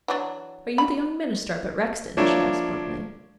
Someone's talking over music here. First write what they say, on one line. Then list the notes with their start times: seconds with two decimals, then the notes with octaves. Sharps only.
"Are you the young minister up at Rexton?" she asked bluntly.
0.08 E3 F#3 D4
0.78 B5
2.17 F3 A#3 D4 E4 C#5